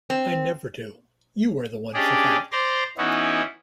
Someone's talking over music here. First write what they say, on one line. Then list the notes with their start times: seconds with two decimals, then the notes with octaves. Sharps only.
I never do; you are the one for that.
0.10 C4
1.94 C#4 D4 G4 G#4 D5 D#5
2.52 C5 D5 A#5 C6
2.98 E3 B3 C#4 D#4 E4 F#4